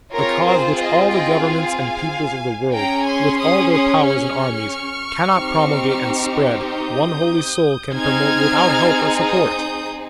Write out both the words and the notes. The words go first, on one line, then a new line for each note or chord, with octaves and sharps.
A Cause which all the governments and peoples of the world, with all their powers and armies, cannot promulgate and spread, one Holy Soul can promote without help or support!
C4 F4 G#4 A#4 C#5
C5
C5 D#5
D#5 G5
F5 G#5
C#4 G#4 G5 A#5
G#5 C6
C6 D#6
C6 D#6
C#6 F6
C4 D#4 G4
D#6 G6
C4 D#4 G#4 F6 G#6
D#6 G6